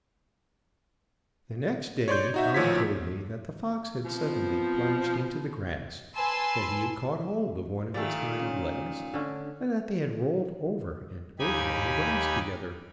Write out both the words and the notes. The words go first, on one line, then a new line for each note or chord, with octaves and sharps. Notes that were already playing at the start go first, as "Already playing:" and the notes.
The next day, Tom told me that the fox had suddenly plunged into the grass, that he had caught hold of one of its hind legs, and that they had rolled over and over in the grass together.
C#5 D5 C6 G6
D#4 F#4 E5
A1 A#2 F3 C#5 G#6 B6
F3 B3 C4
B4 G#5 A5 C6 E6
A#2 D#3 A3 G4 D5
C#3
D3 C#4
D#2 D#4 G4 G#5 B5 G#6